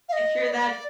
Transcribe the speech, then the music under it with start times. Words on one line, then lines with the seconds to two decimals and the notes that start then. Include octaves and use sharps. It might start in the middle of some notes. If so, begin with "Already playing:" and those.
If you're that
0.09 F5
0.13 D#5
0.46 D#5
0.50 D5